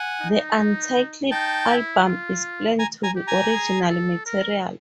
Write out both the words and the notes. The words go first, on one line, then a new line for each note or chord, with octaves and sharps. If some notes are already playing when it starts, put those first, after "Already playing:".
The untitled album is planned to be original material.
Already playing: F#5 G#5
D#4
D#4 G5 A5
E4
F4
G#5 A#5
G#5 A#5
G4
G#5 A#5
G#4
A4
A#4